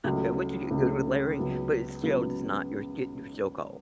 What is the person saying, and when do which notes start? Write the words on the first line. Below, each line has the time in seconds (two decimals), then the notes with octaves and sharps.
Okay, once you get good with layering but it still it's not you're get you're still cold.
0.04 C#2 C#3 F#3 A3
0.71 C#2 C#3 F#3 A3
1.38 C#2 C#3 F#3 B3
2.03 C#2 C#3 F#3 B3